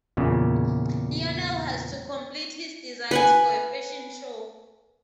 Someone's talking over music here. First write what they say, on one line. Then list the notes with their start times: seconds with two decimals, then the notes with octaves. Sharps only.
Lionel has to complete his designs for a fashion show.
0.17 E2 A#2 C#3
3.11 B4 F#5 G#5